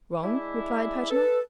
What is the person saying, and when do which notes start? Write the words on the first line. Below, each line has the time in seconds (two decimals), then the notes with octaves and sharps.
"Wrong?" replied Paganel.
0.22 G#3 D4 E4
1.11 A4 B4